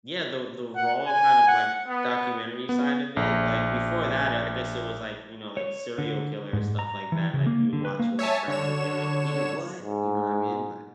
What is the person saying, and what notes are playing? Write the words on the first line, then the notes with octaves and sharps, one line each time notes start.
Yeah, the the raw kind of, like, documentary side of it, like, before that, I I guess it was, like, you know, like, serial killer stuff like that, like, you would watch with, like, friends and being like, w “He did what?” you know what I mean?
F#5
G#5
F#5
B3
B3
A#1
C#5
D3
G#2
A#5
E3
C#3
A#3
D3
B4
A#3
C#5 E5 G#5 A5
D3 C#5 E7
G#2